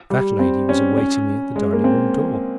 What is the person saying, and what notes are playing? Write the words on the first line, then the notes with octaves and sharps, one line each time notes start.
That lady was awaiting me at the dining-room door.
G3
C4
C#4
C#4
G#3
A#3
C4